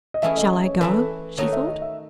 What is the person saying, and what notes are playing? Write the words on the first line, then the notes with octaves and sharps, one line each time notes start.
"Shall I go?" she thought.
D#5
E3 A3 C#4 E4 G#4 E5
D#5
C#5
E3 A3 E4 B4
D#3 A3 D#4 F#4 C#5
E5
D#5
E5